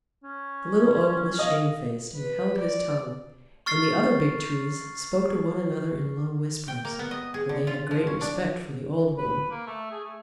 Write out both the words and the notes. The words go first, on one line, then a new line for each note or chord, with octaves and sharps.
The Little Oak was shamefaced, and held his tongue; and the other big Trees spoke to one another in low whispers, for they had great respect for the old one.
C#4
D#5 F5
B4
D5
C#6 F6 A6 C7
G5
A#3
B3
D#5
G#4
D3
F4
F3
C#4
D4
B4
A#3
A3
G#4
A3